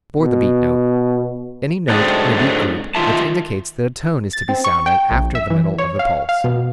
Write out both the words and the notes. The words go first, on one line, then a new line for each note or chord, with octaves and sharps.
Before-the-Beat Note: Any note in a beat-group which indicates that a tone is to be sounded after the middle of the pulse.
B2
G#2 F#3 G#3 A3 C4 D4
D#3 A#3 F4 E5 A5
A6
C4
C#6
G5
A#1
E5
E3
C#5
F5
F5
B2